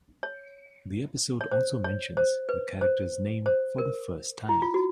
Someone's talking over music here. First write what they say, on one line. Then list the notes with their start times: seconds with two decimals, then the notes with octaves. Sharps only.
The episode also mentions the character's name for the first time.
0.23 C#5
1.41 C#5
1.51 C5
1.84 C#5
2.17 C5
2.49 B4
2.81 C5
3.46 C5
3.78 A#4
4.49 E4
4.62 F4
4.74 F#4